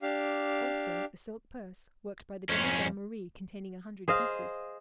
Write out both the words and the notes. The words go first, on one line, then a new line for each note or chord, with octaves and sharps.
Also a silk purse, worked by the demoiselle Marie, containing a hundred pieces.
D4 G4 F5
F2 C#4
G#4 C5 D#5 F5